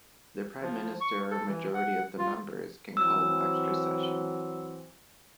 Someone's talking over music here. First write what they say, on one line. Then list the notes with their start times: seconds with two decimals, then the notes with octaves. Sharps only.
The Prime Minister or a majority of the members can call an extra session.
0.62 F3
1.01 C#6
1.31 A4
1.48 E3
1.74 F#5
2.18 F4
2.97 E3 F#3 C4 E6